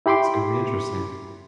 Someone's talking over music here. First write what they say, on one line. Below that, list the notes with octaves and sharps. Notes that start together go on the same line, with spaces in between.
It's gonna be interesting.
E4 G4 B5 C6 D6